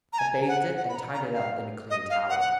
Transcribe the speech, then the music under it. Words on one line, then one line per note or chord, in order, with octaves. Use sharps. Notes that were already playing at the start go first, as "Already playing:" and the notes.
I bathed it, and tied it up in a clean towel.
A#5
G#5
F#5
F#5
B5
A#5
A#5
F5
D#5
F5
F#5
F#5